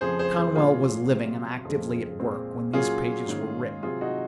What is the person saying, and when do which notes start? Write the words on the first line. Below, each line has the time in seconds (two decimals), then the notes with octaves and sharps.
Conwell was living, and actively at work, when these pages were written.
0.01 F2 C#3 F3 G#4 C5
0.19 G#4 C5
0.37 G#4 C5
0.55 A#2 G#3 C#4 F4 G#4
1.11 C3 F#3 C4
1.65 F2 C#3 G#3
2.19 A#2 G#3 C4
2.73 A#2 F#3 A#3 C#4 F4 G#4
3.28 G#2 D#3 A#3 C#4
3.83 C3 F#3 C4 F4 G#4
4.01 D#4 F#4